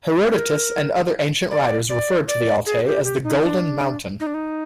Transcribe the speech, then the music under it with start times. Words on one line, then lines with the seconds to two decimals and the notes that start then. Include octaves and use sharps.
Herodotus and other ancient writers referred to the Altay as "the golden mountain".
0.35 A#4
1.51 D5
1.90 D5
2.28 D5
2.66 G#4
2.85 G4
3.04 G4
3.24 D#4
3.43 D4
4.20 D#4
4.27 D4
4.34 D#4